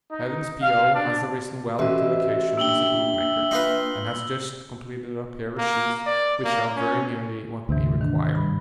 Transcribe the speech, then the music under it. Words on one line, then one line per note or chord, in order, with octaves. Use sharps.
Evans, P.O., has arisen well to the occasion as a boot maker, and has just completed a pair of shoes which are very nearly what we require.
D#4
F5
D4
A1 F#4 D#5 E5
A#3 D4 G5 E6 F#7 G7
D#4 F4 B4
A#3
D5
A#3
C#4
D2 G#2 C3 E3
D#3 D4
G2 G3 B5